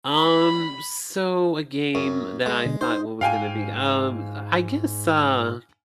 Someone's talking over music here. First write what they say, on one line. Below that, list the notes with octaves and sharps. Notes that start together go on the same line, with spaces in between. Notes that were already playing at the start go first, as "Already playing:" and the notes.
Um, so a game that I thought was gonna be, um I guess, uh,
B5
F#2
G#3
B2 D3
D#4 C5
G#2 F5 G5 G#5